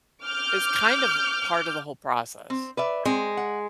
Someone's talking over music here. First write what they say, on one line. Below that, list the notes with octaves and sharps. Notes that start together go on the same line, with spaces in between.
is kind of a part of the whole process.
D6 F6 G6
C4
B4 D5 E5
G#3 C4
F#5